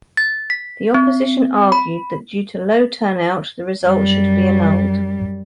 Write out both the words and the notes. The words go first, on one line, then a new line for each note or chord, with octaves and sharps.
The opposition argued that due to low turnout the results should be annulled.
A6
B6
C4
B5
F#2 G3